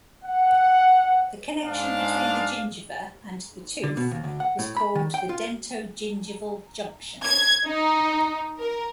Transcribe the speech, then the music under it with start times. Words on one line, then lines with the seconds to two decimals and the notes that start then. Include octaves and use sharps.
The connection between the gingiva and the tooth is called the dentogingival junction.
0.24 F#5
1.65 G#2 D4 F5
3.84 D3
3.97 B2
4.11 D#2
4.24 D2
4.40 F#5
4.59 A2
4.77 B5
4.95 D#3
5.14 G5
5.29 F4
7.25 G#6
7.66 D#4
8.59 A#4